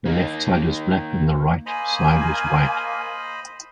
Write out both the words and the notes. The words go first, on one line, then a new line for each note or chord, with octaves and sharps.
The left side is black and the right side is white.
A#3 D#4
A#3 C5 D#5 G#5 B5